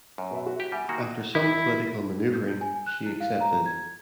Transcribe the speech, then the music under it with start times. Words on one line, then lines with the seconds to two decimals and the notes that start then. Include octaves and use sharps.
After some political manoeuvring, she accepted.
0.18 F#2
0.31 B2 B4 E5
0.46 F#4
0.60 G4
0.72 G3 E5 F#5 G#5
0.89 D#3 A#3 F#4
1.35 E4
2.34 G6
2.61 G#5
2.86 F#6
3.06 E4
3.20 F5
3.41 A#5
3.66 G#6